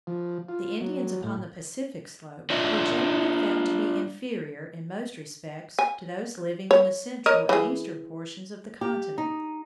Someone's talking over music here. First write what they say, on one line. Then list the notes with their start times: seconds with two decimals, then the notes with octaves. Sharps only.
The Indians upon the Pacific slope were generally found to be inferior in most respects to those living in the central and eastern portions of the continent.
0.07 F3
0.49 F4
0.81 F#3
1.23 A2
2.50 D4 F4 D#5 E5
5.79 G#5
6.71 C#5
7.26 A#4 C#5 D#5
7.49 E3 G#4
8.81 G4
9.18 D#4